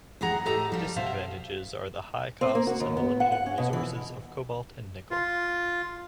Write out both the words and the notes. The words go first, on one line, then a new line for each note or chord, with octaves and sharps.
Disadvantages are the high costs and the limited resources of cobalt and nickel.
D#2 E3 G#4 F#5 A#5
A2 G4 A4 D#5 A#5
F3 G3
B2 C5 E5 F5 A5
C4
A#3
F#4
D#2
B3
F#5
F#5
C#4
B2
E3
F4